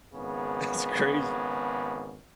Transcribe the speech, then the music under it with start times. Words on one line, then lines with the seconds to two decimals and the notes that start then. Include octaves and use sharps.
That's crazy.
0.13 G#1 C#3 B3